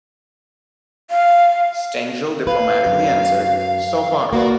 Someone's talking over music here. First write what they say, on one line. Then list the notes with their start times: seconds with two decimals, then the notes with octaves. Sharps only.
Stengel diplomatically answered, So far!
1.11 F5
2.47 B4 F5
2.86 F#2
4.33 A#3 F#4 B4 D5